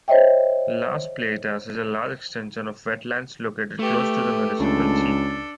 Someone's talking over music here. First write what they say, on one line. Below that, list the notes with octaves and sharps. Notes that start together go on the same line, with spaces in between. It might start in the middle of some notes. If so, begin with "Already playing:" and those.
Las Playitas is a large extension of wetlands located close to the municipal seat.
C5 C#5 D#5 E5 G5
A3 G4 B4
C#2 D4 A4